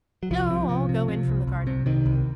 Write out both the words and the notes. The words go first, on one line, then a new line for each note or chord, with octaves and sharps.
"No, I'll go in from the garden."
F#3
C2 F3
C3
C3
C3
C3
C2
C2
C3
C3 D#3
C2